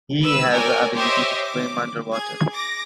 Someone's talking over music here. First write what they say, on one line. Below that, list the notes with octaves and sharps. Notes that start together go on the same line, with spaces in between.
He has the ability to swim underwater.
B4 E6
A#4 C#5 D5 G5 G#5
G4 C5 C#5 D#5 E5 C6
D6
G#4 G#6
D6 A#6